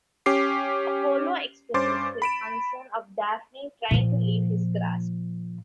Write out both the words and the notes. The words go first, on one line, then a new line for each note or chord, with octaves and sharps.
Apollo expresses his concern of Daphne trying to leave his grasp.
C#4 G4 D6 C7
G2 C#4 C5 C6 D6 A6
B5 D7 E7
A#2 F3